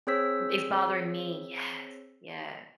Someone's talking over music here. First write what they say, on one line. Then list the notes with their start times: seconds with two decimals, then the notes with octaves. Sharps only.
M "It's bothering me." Yes, yeah.
0.07 C4 G#4 C5 C#5 E6 B6